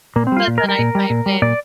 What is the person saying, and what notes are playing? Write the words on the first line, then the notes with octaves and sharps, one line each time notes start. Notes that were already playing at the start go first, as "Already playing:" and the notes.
But then I typed in
A#2 A#3
C4
G3 F4
A#2
A#4
G3
A#4
A#2
G3
A#2
G3
A#2 D5